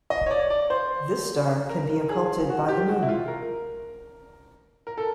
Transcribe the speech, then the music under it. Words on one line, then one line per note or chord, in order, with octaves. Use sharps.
This star can be occulted by the moon.
D#5
C#5
D5
D5
C5
A#4
G#4
F#4
G4
F#4
E4
F4
A#4
A#4
A4